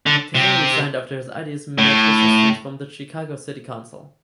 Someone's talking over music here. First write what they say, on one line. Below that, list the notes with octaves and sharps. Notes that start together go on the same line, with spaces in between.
Taylor resigned after his ideas met resistance from the Chicago City Council.
D3
C3
A2